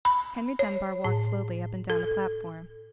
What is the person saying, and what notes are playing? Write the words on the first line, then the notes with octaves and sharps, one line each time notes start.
Henry Dunbar walked slowly up and down the platform.
B5
C#5
A2
A4